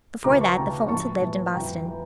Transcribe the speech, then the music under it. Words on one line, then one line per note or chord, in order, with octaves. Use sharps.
Before that the Fultons had lived in Boston.
D2 C#3 E3 A#5 D6
A5 C#6
D2 C#3 E3 G5 A#5
A#1 A2 E3 A5 C#6
A#1 A2 E3
G1 F2 E3 G5 A#5
E3